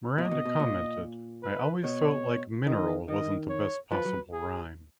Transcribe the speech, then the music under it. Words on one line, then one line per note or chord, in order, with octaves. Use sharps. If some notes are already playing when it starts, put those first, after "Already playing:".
Miranda commented: I always felt like 'mineral' wasn't the best possible rhyme.
B2 D#5
A#2
B2
B2
A#2
B4
B2 C#5
D#3 D#5
D#3 D#5
C#5
F3 B4
F#3
G#4